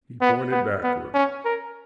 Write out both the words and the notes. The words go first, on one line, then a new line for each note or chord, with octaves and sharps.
He pointed backward.
B3
B3
B3
C#4
A#4